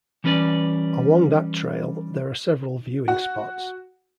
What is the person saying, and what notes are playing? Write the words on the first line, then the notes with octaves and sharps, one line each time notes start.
Along that trail, there are several viewing spots.
E3 G3 C#4 B4 D5
F#4